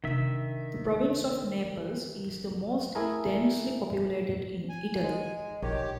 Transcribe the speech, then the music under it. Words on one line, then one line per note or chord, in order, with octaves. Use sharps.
The province of Naples is the most densely populated in Italy.
C3 D#3 D4 E5
A3 E4 G#4 A#4
G#5
G#3
A#1 D#3 G4 C#5